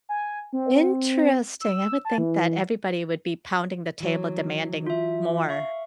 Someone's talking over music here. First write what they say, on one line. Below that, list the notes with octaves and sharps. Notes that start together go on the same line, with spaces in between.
Interesting. I would think that everybody would be pounding the table demanding more.
G#5
C4
E6
A5
E3
E3 F#3
F4 E5
E5 F5 C#6